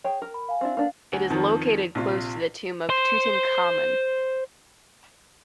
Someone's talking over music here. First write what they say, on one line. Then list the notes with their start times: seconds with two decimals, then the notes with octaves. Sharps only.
It is located close to the tomb of Tutankhamun.
0.04 G#4 C#5 G5
0.22 A#4
0.34 B5
0.49 F5 G#5
0.61 C4 D4 E4
0.77 A#3 B3 D4 F5
1.12 D2 G#5
1.30 F2 D#3 F3
1.95 A#1 C3 F4
2.89 C5 C6